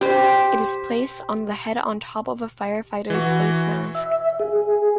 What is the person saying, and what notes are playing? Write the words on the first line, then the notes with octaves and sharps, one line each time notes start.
It is placed on the head on top of a firefighter's face mask.
G4 C5
E3 F#4
E5
G#4